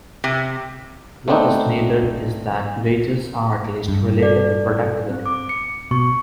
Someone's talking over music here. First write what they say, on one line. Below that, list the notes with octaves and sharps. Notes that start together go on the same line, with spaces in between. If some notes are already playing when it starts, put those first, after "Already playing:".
What is needed is that wages are at least related to productivity.
C3
A3 B3 C4 D4 D#4
G2
A4 D5
C4
D6
C#7
B2 C#6